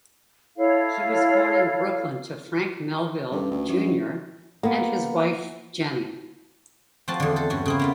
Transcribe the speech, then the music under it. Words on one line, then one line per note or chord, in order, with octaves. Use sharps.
He was born in Brooklyn to Frank Melville, Junior and his wife, Jennie.
E4 A4 C#5 F5
G2 C#4 A4 B4
D2
F#2 F3 D4
A#3 B3
F3 C4 F#4 A5
E2 D3
A4 C5
G2 C#4 F#4
C#3 C4 E4
A#3 B3 F4